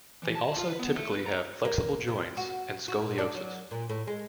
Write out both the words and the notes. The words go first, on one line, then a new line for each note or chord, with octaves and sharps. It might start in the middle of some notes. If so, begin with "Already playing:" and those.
They also typically have flexible joints and scoliosis.
E3
A5
F4
B4
B3
A3
B4
A#5
A#3
C3
F#4
F#4
A#2
D4
F#3
A#2
A2
G#3